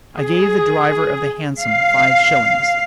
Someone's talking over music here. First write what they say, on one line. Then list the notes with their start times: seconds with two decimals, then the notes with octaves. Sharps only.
I gave the driver of the Hansom five shillings.
0.17 G#4
1.62 F5